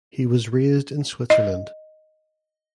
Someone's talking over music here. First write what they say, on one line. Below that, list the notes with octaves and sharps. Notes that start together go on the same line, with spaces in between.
He was raised in Switzerland.
D#5